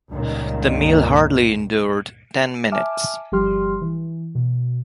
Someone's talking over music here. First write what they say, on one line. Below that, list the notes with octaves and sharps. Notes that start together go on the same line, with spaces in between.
The meal hardly endured ten minutes.
C#2 G2 A#2 D#3
E5 G#5 A5 D6 F6
G1 F3 G3 G4 C6 F6
E3
B2